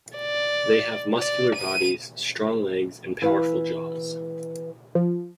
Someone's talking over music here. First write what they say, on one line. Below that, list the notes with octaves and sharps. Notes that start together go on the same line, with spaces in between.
They have muscular bodies, strong legs, and powerful jaws.
D5
D5
D#7
E3 B4 F5
F3